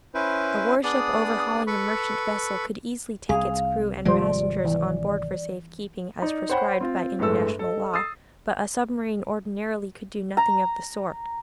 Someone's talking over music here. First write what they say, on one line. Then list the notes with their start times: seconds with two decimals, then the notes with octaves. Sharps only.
A warship overhauling a merchant vessel could easily take its crew and passengers on board for safe keeping as prescribed by international law; but a submarine ordinarily could do nothing of the sort.
0.14 C#4 E4 B4 C5
0.84 B3 D4 G#4 D5 D#6
1.67 A4 B4 B5 C#6
3.29 C2 G#4 F5
4.06 G#1 C3 F3 G3 G#3 C5 D5
4.65 E3
6.22 D#4 D5
6.49 C5 C#5 F#5 G5 B5 C6
6.81 C4 F4
7.19 G1 A2 G#3 A4 E6
7.59 A4 D#5
7.94 D#6 E6 A6 C7
10.37 A#5